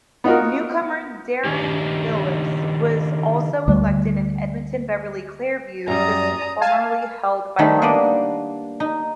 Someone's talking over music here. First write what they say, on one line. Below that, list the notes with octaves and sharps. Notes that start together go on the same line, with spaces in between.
Newcomer Deron Bilous was also elected in Edmonton-Beverly-Clareview, the seat formerly held by Martin.
B3 D#4 F4 F#4 A#4
D#3 D4 D#4 G4
D2 G3
F#2 G3 D5 A#5 D#6
F5 G#5 A5
D#3 G3 A3 C4 D#4
A#3 B3 D4 D5 D#5
D#4